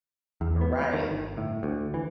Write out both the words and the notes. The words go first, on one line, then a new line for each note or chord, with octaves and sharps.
Uh Right.
E2
B3
D#3
G1
A2
D2
E3